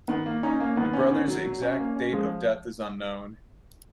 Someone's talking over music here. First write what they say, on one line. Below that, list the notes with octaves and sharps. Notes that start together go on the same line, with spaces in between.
The brothers' exact date of death is unknown.
D#3 B3
A#3
C#4 D#4
A#3
D#3 B3
C#4
D#3
F#3
F#3
C#4
A#3
C#4
F3 G#3